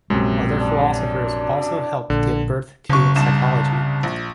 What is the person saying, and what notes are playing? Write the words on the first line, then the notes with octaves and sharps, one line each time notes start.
Other philosophers also helped give birth to psychology.
A#1 F#2 C3 G#3
D4
A#1 D3
F#1 C#3 C#6
C2 G2 E7
A#1